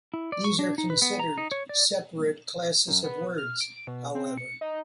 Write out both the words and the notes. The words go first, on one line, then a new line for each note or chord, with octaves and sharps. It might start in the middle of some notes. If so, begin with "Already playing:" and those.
These are considered separate classes of words, however.
E4
D5
C#6
D4
D#4
B4
B3
A#5
D#4
C#5
D5
F#2
B3
F6
D7
B2
C4
C#7
D#4